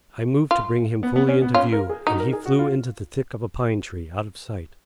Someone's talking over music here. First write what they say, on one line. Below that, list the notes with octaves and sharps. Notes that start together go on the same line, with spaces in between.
I moved to bring him fully into view, and he flew into the thick of a pine-tree out of sight.
F4
B3
B3
C#4
B3
C#4 F4
A#4
G#4
D#4 F#4
A#4
G#4
F#4
F4